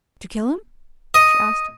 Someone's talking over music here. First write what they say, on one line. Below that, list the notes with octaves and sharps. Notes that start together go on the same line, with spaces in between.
"Did you kill him?" she asked.
D#5